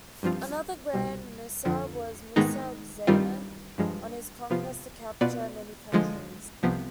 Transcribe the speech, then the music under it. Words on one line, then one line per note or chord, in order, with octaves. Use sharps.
Another Grand Musab was Musab Zaman, on his conquest to capture many countries.
G2 F3 C4 F4
C2 B2 G3
F2 D3 F3
G#2 D#3 G#3 B3 D#4
G2 D#3 G3 C4 F4
G2 F3 G#3
C3 F3 B3 F4
B2 B3 F4 B4 D5
D3 F3 G#3
C2 C3 F3 B3